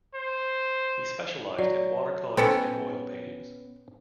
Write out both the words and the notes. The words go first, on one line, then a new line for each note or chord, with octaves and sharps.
He specialized in watercolors and oil paintings.
C5
F#3 D5
A#2 B3 C#4 A4 C5 G5 C6